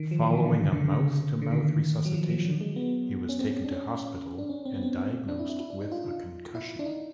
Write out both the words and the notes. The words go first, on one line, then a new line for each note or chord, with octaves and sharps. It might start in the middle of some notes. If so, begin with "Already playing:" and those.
Following a mouth-to-mouth resuscitation, he was taken to hospital and diagnosed with a concussion.
Already playing: D#3
F3
E3
D#3
D3
C#3
D3
D3
D3
D#3
F#3
F3
F3
F#3
G#3
B3
C#4
C4
D4
C#4
D4
C#4
C4
B3
C4
D4
E4
E4
E4
D4
D#4
F4
E4
D4
D#4